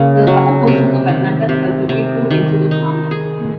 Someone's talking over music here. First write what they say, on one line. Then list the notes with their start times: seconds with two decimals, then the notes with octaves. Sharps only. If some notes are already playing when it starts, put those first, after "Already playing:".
The upper portion of "Atlanta"s hull received two inches of armor.
Already playing: C#3 A#3
0.27 F#3
0.67 C3
1.08 D#3
1.49 C3
1.89 C3
2.31 D#3
2.71 D#4
3.11 G#4